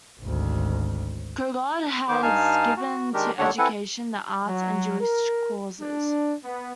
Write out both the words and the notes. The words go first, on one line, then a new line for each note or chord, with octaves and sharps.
Kogod has given to education, the arts, and Jewish causes.
G#1 D2
D#3 B3 C5 D6
G2 D#4 F5 G#5 A5 F6
F#4
D#3 G#3 D4 G4 A#4
D#2 D3 D4 C#5 F#5
C4 E4 A4 B4 F#5 G#5
F#3
A#4
D4
B3